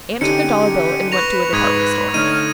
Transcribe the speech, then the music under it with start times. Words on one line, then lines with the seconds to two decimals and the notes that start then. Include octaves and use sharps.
Ann took a dollar bill and went to a department store.
0.21 D3 C#4 D#4 G4 C#7 D#7
1.12 B4 C#6 A#6 F7
1.53 G#2 D#6 G#6 D#7
2.14 D3 A3 D#4 C#5 F6 D#7